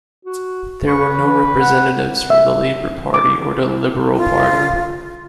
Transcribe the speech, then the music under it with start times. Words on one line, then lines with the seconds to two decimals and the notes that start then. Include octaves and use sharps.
There were no representatives from the Labour Party or Liberal Party.
0.25 F#4
0.88 B4 C#6
1.19 E3
1.60 F#5
2.30 E5
3.14 D6
4.16 F4